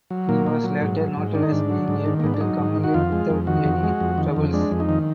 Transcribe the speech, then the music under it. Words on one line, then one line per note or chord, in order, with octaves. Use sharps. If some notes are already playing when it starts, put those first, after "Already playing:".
He was later noted as being able to communicate without any troubles.
F#3
A#2 A#3
A#2
F#3
G#2
F#3
G#2
D#3 D4
D#4
G#2 D4
F#3
G#2
D#3
A#3
G#2 B3
D4
F#3 D#4
G#2
D#3
F#4
F2 F4
G#3
F2
D#3 F#4
F2
G#3
F2
D#3
F2
G#3 D4
F2
D#4
D#3